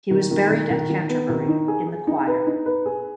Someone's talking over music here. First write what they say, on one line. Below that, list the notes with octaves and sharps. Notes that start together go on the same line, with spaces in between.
He was buried at Canterbury, in the choir.
D#3
D#3
D#3
D#3
D#3
B3
D#3
D#4
G#4
G#4
D#4
B4
D#4
B4
G#4